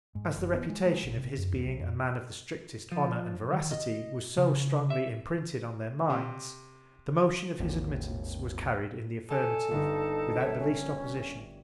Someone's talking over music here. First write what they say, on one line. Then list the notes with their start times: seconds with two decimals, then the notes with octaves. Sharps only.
As the Reputation of his being a Man of the strictest Honour and Veracity was so strongly imprinted on their Minds, the Motion of his Admittance was carried in the Affirmative, without the least Opposition.
0.15 G#2
0.36 F#1
0.54 B3
0.69 G#3
0.86 G#3
1.03 A1
1.17 C3
1.37 F#2
1.52 D#2
1.66 B1
1.80 F2
2.92 F3
3.53 D#3
3.71 D#5
4.37 C#3
4.90 E5
6.10 C3
7.60 G#1 D#2
9.30 A4 C#5 D#5 G#5 A5
9.71 G1 D#4
10.40 A#4 C#5 E5
10.59 C#4